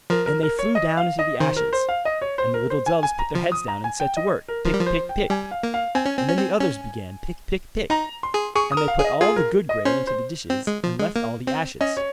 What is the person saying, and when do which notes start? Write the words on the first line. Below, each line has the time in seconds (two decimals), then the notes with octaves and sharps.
And they flew down into the ashes; and the little doves put their heads down and set to work, pick, pick, pick; and then the others began pick, pick, pick; and they put all the good grain into the dishes, and left all the ashes.
0.10 F3 A#4
0.26 A#4
0.43 A#4
0.59 C#5
0.75 D#5
0.97 F5
1.19 D#5
1.40 D#3 C5
1.56 A#4
1.73 C5
1.89 F5
2.05 D#5
2.21 C#5
2.38 C5
2.54 A#4
2.70 C5
2.86 G#5
3.03 G#5
3.19 A#5
3.35 F3
3.52 D#6
3.68 A#5
3.84 G#5
4.00 G5
4.17 D#5
4.48 A#4
4.65 F3 A#4
4.74 G3
4.80 F3
4.86 C5
5.09 G5
5.30 G3 G#5
5.51 F5
5.63 A#3
5.74 F5
5.95 C4 G#5
6.06 C#4
6.17 C4
6.28 C#4
6.38 C4
6.60 C#4
7.90 D#4 A#5
8.23 C6
8.34 G#4
8.55 G#4 C#6
8.72 D#6
8.77 A#4
8.88 F5
8.99 G#4
9.04 D#5
9.21 F4 G#4
9.36 A#4
9.69 D#5
9.85 C#4 C5
10.07 C5
10.50 C4
10.67 G#3
10.84 F3
10.99 G#3
11.16 A#3
11.47 C4
11.81 C#4 D#5
11.97 C#5